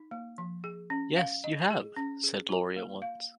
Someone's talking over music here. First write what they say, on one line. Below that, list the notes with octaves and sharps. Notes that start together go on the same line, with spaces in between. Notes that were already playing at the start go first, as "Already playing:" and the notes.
"Yes, you have," said Laurie at once.
Already playing: D#4
A#3
F3
G#4
C#4
F5
D#5
G#4
C#4
G#4
F4
A#3
F5